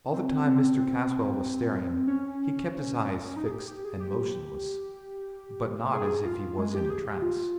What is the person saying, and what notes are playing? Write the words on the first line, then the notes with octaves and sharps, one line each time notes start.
All the time Mr. Caswall was staring, he kept his eyes fixed and motionless--but not as if he was in a trance.
C4
C4
C4
C#4
D#4
G#4
G4
G4
G#4
G4
G#4
F4
G#3
G4
G#4
G4
F4